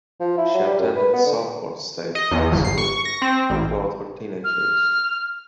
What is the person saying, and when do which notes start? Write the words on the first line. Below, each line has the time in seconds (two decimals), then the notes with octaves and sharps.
She attended Southport State High School throughout her teenage years.
0.20 F3
0.38 E4
0.54 F#3
0.67 G3
0.79 F#2
0.96 B4
1.13 B3
1.26 D3
2.15 D#5
2.31 E2
2.52 G1
2.65 C7
2.78 C#6
3.05 A#6
3.22 C4
3.50 A1
4.44 F6